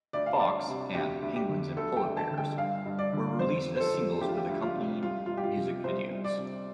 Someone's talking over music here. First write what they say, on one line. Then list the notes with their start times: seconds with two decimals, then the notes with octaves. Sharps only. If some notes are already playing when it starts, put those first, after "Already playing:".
"Fox" and "Penguins and Polarbears" were released as singles with accompanying music videos.
0.13 D2 D5
0.26 F5
0.39 D2 D5
0.68 C3
0.95 D2 G4
1.22 D2
1.36 G4
1.49 D3
1.77 D2 A4
1.97 G5
2.03 D2
2.17 A5
2.31 D3
2.38 G5
2.58 G2 F5
2.86 G2
2.99 D5
3.13 D3
3.39 F2 C5
3.66 F3
3.76 C5
3.80 A4
3.94 F3
4.21 D2 G4
4.29 F4
4.37 G4
4.49 D2
4.62 F4
4.75 C3
5.03 C2 F4
5.26 C2 F4
5.37 G4
5.44 F4
5.57 C3
5.84 C2 C5
6.11 C2
6.24 D5
6.38 C3